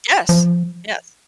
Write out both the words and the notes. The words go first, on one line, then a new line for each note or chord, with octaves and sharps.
Yes, yes.
F3